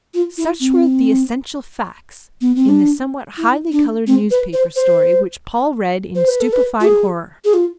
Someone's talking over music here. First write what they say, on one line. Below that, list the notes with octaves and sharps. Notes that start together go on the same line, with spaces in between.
Such were the essential facts in the somewhat highly coloured newspaper story which Paul read in stupefied horror.
F4
E4
C4
B3
C4
D4
E4
D4
C4
B4
C5
C5
C5
B4
A4
B4
F4
G#4
G#4
F4